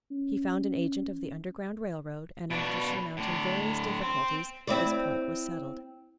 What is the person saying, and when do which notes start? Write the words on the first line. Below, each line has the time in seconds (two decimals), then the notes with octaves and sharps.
He found an agent of the Underground Rail Road, and after surmounting various difficulties, this point was settled.
0.10 C#4
2.50 B2 D4
3.17 A2 D3
4.01 C4
4.67 C4 E4 D5